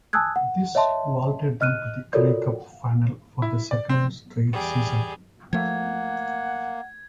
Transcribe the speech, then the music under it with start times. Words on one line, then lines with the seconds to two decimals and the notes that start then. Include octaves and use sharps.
This vaulted them to the Grey Cup final for the second straight season.
0.13 G#5 A5 D#6 E6 F#6 G#6
0.36 F#5
0.75 C#5 D#5 E5 A5 C6
1.61 D#5 F6 F#6 D#7
2.13 F4 F#4 A4 A#4 C#5 D5
3.42 E4
3.71 D5
3.89 C4
4.52 E2 G3 G#4
5.53 F3 A3 A#3 F#5 G#6